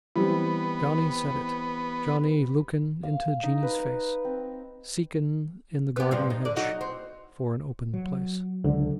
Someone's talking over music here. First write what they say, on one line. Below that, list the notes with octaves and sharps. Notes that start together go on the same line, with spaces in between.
Johnnie said it, Johnnie luikin' Into Jeannie's face; Seekin' in the garden hedge For an open place.
E3 G3 B3 C4
F5
D#4
B4
C4
B3 G4
G2 C3 F3
D#4
D3 D5
F#3 D#4 F#4
C4
F#3
C#2 D3